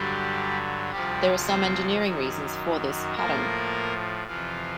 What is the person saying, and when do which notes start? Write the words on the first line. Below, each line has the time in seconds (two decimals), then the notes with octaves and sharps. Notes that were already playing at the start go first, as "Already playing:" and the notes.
There are some engineering reasons for this pattern.
Already playing: G2 D3 F#3 G3 G4
0.91 D2 C3 F3 G3 G4
1.47 C4 C5
2.03 F#2 D#3 F#3
3.15 A2 F3 A#3 A#4
4.27 F2 C3 E3 F3 F4